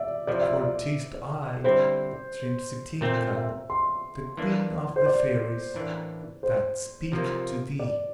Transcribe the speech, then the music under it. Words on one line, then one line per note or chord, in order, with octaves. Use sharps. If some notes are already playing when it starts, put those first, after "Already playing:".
For 'tis I, Tripsitinka, the Queen of the Fairies, that speak to thee.
Already playing: D5 E5
C3 F3 A3 E4 D5
E5
D5
D3 G3 C4 E4 C5
A#2 A3 C4
E5
C6
E3 A#3 D4
C5
D5
A2 E3 A#3 D4
C5
C3 F3 A#3
D5